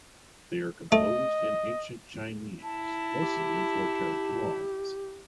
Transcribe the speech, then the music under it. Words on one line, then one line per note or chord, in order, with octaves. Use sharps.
They are composed in ancient Chinese, mostly in four-character lines.
A3 D#5
E4 A5
G4